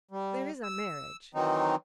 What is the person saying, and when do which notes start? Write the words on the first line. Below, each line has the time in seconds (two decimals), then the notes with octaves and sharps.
There is our marriage....'
0.11 G3
0.63 E6
1.35 D#3 E3 F#3 C4 D#4